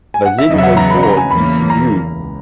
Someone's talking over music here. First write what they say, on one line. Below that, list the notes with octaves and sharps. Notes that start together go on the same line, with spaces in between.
Vasile was born in Sibiu.
G#5
F#5
E5
E2 C#3 F#3 B3 D#5
E5
F#5
A#5
B5
A#5
G#5
E2 C#3 E3 A#3 B5
A#5
C#2